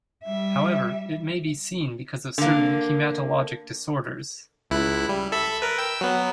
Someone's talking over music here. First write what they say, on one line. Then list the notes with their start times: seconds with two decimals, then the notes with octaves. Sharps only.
However, it may be seen because of certain hematologic disorders.
0.24 G3 E5
2.38 D3 A#3
4.70 C#2 E4 F#6
5.09 G3
5.32 A4 E5 B5
5.62 A#4 B4
5.78 G5 E6
6.01 F#3 B3